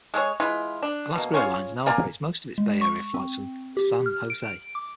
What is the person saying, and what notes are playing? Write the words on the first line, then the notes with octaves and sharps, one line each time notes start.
Alaska Airlines now operates most of its Bay Area flights from San Jose.
G#3 A3 G#4 C#5
E3 G#3 E4 F4
D4
B2 A#3
C#4 F4 G#4 C#5
A#3 D5 G#5 A#5
G#3
C#6
C4
G4
F6
D7
D6